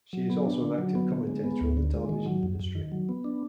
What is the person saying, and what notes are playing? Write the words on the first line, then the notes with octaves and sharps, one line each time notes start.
She is also an active commentator on the television industry.
F#3
B3
D4
D3
F#3
B3
D3
G#3
B3
D2
D3
G#3
D#3
F#3
F#2
F#2
D#3
F#3
B3
D4